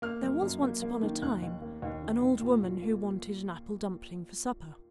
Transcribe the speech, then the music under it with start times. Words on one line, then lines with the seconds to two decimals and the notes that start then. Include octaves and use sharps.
There was once upon a time an old woman who wanted an apple dumpling for supper.
0.02 A#3 F6
0.23 F#2
0.42 F#2
0.62 A#3
0.82 A#3
1.02 D#3
1.22 D#2 F#6
1.42 D#2
1.62 A#3
1.82 D#2
2.03 D#3
2.21 D#2
2.41 A#2
2.62 A#2
2.82 A#3